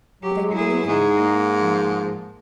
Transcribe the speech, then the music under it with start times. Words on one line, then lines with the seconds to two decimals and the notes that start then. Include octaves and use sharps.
But they will believe me.
0.23 F#3 G4
0.52 E4 G#4
0.87 G#2 D#4 G#4
1.17 A#3
1.60 F3